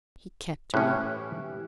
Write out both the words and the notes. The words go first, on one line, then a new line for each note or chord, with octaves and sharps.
"He kept me."
A2 E3 C#4 G4 F#6